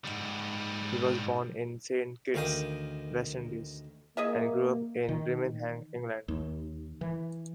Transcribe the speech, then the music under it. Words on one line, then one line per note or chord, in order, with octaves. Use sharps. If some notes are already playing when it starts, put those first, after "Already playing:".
He was born in Saint Kitts, West Indies, and grew up in Birmingham, England.
G#2 G3
D2 D#3 F5 G5 D#6
A#3 G#4 D#5 E5
D#3
D#2
E3